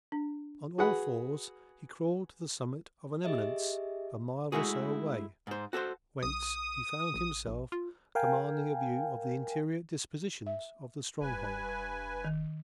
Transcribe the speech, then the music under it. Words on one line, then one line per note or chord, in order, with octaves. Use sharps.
On all fours he crawled to the summit of an eminence a mile or so away, whence he found himself commanding a view of the interior dispositions of the stronghold.
D4
F#4 G#4 B4 F#5 B5
G4 G#4 D#5 E5
G#3 A3 E4 F#4 G#4
G#2 C5
F#4 A4 B4 C5
B1 D#6
A1
A#1
F4
A#4 F5 G5 G#5
E5
F1 G2 B4 G#5
D#3